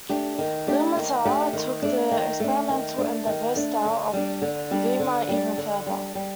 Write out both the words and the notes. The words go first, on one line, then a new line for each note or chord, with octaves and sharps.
"Ilmatar" took the experimental and diverse style of "Vihma" even further.
A3 D4 G4
D#3
A3 D4 G4
D#3
A3 D4 G4
D#3
A3 D4
D#3
A3 D4
D#3
A3 D4
D#3
A3 D4
D3
G3 D4
D3
G3 D4
D3
G3 D4
D3
G3 D4
G3